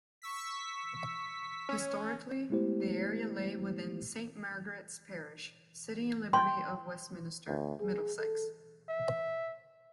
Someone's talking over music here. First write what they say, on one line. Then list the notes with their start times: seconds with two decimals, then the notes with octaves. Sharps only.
Historically the area lay within Saint Margaret's parish, City and Liberty of Westminster, Middlesex.
0.22 C#6 E6 B6
1.69 C#4
2.50 G#3 A3 B3 E4 G4 C5
6.33 G5 C6
7.47 D2
7.80 G#4
8.19 A4
8.89 E5